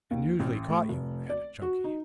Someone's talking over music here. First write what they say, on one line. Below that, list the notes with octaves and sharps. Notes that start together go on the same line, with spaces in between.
"And usually caught you," added Chunky.
D#2
A1
A2
F1
D5
F#4
D#4